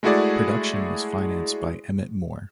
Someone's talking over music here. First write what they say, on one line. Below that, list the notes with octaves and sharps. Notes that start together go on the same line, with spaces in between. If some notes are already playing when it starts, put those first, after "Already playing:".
Production was financed by Emmett Moore.
G#3 A3 E4 F#4 G#4 D5